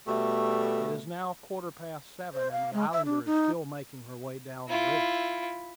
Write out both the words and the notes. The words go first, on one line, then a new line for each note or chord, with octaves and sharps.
It is now quarter-past seven, and the Islander is still making her way down the river.
B2 G3 A3
C5
F5
G#3
E5
D4
D#4
E4 F4